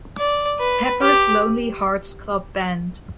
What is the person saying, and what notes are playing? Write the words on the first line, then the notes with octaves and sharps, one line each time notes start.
Pepper's Lonely Hearts Club Band.
D5
B4
G4